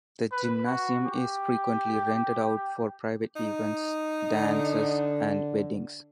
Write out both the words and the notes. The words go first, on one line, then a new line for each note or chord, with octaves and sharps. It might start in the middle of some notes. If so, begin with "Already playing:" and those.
The gymnasium is frequently rented out for private events, dances and weddings.
B4
F#4
G4
D#4
D3